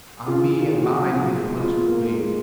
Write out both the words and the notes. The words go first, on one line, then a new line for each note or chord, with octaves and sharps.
On me and mine be the punishment laid.
C#3 F4
D#3 F#4
G#4
F#4
C#3
F#3
F3
F3
G#3
B3 F4
A#3
G#3
G#3